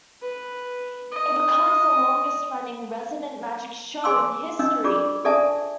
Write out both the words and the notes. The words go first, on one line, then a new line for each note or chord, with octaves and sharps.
It becomes the longest running "Resident Magic Show" in history.
B4
D#5
G#4 G#5 C6 D6 E6
D4 D#4 D#5 E6
D4 F4 G#4 D5 D6
G#4 A4 D5 E5 G#5 A5